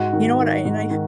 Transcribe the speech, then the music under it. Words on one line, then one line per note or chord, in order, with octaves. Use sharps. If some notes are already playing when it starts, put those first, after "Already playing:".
You know what? I and I f
Already playing: G#2 F#4
D#3
D#3
G#2
D#3